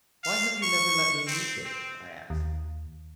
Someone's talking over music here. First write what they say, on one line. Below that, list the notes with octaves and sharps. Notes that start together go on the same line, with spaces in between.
"Why have you never let me meet him?" I asked.
F5
C#6
C4
C4
D#2